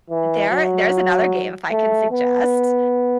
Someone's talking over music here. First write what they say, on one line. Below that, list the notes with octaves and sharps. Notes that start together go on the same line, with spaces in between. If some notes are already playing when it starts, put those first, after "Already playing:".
there there's another game, if I can suggest.
E3
F#3
A3
B3